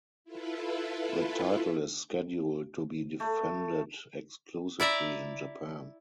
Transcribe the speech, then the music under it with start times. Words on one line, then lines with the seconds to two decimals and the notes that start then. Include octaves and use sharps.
The title is scheduled to be defended exclusively in Japan.
0.24 E4 F4 A4 B4
3.20 A3
4.80 E4 D5 E5 A#5